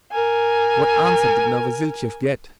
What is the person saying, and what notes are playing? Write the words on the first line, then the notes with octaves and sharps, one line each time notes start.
What answer did Novosiltsev get?
A#4 G#5